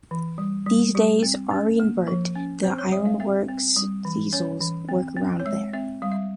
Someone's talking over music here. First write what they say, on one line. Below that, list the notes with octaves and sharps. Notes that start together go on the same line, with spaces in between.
These days, 'Arry and Bert, the ironworks diesels, work around there.
E3
G3
G3
G3 G4
C4
C#4
A#3
F3 A#4
C#4
C4 C5
C#5
G3 E5
F5
C4 E5
C4
G3
E3
C#4 C#5
E3
C4
C4
C#5
G#3 E5
C4 E5
G3 F5
E5